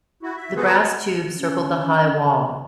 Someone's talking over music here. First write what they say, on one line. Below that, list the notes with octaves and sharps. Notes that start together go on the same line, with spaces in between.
The brass tube circled the high wall.
E4 F#4
E5
B3 F#4 G#4 A4 B4 C5
C#4